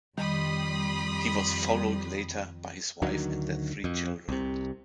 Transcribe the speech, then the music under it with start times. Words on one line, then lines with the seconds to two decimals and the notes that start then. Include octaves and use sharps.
He was followed later by his wife and their three children.
0.18 F2 D#3 G3 B5 C6 D#6
3.02 D2 D3 D#3 F#3
3.84 F2
4.29 C2 C3